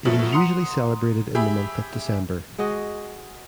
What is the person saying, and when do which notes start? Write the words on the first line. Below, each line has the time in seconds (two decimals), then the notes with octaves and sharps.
It is usually celebrated in the month of December.
0.05 F#2 B2 F3 A3 F#7
0.32 F#5 A#5 C6 D#6 C#7 F7
1.35 G4 G#4 E5 B5
2.58 G#3 F#4 G#4 D#5